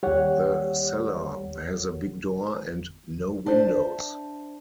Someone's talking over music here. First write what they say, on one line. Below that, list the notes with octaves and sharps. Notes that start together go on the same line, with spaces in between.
The cellar has a big door and no windows.
D#2 G3 G4 C#5 F#5
D4 C5 E5 A5